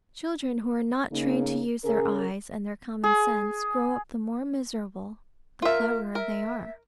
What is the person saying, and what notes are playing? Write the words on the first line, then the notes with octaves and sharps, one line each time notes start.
Children who are not trained to use their eyes and their common sense grow up the more miserable the cleverer they are.
C#3 A#3 D#4
C#3 C#4 G#4 A#4
G#4
F4 A#4 E5
A#4 E5